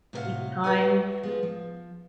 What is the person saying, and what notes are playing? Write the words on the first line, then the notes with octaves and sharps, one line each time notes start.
each time,
A2 C3 A#4 D5 F5 F#5
F#4 A4 B4 E5 F#5 G#5
F3 G#3 B3 F4
F3